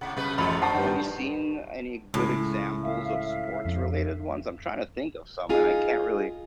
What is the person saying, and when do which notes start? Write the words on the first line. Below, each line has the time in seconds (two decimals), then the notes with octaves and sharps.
Have you seen any good examples of sports related ones? I'm tryna think of some, and I can't really
0.01 A2 C3 F#5
0.17 C#3 F#3 A3 B4
0.38 A1 F#2 E3 G#3 A4 B5
0.62 D4 C5 F#5 A5 C#6
0.74 G2 D#3 F#5
2.14 C#2 A2
2.83 E5 F5
3.66 F2
5.49 D#4 F4 G#4